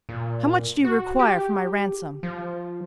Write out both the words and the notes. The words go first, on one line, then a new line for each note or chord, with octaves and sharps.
"How much do you require for my ransom?"
A#2
F#4
G4
F3